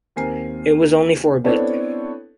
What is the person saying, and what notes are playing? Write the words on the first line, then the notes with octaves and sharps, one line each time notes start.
It was only for a bit.
D#2 C4 A#4 G#5 C7
B3 C4 D4 E4 A4 C#5